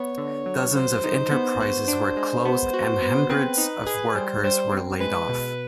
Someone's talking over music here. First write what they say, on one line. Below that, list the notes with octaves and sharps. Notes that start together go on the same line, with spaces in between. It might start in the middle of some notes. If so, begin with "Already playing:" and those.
Dozens of enterprises were closed and hundreds of workers were laid off.
Already playing: B3 C#5
D3
F#3
F#3 C5
D#4
B3
F#4 C5
D4
G#3
B3
F#4
B3
C4 B4
D#4
G#4
G3 C5
G3 C5
C4
G#3 B4
B2